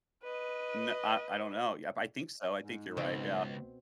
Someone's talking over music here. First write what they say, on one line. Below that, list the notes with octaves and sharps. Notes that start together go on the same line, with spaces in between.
N uh, I don't know. Yep, I think so, I think you're right, yeah.
B4 D#5
G#2
C#2 B2 C4